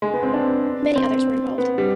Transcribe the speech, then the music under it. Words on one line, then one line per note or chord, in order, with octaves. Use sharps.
Many others were involved.
G#3
B3
C4
D4
C4
B3
G3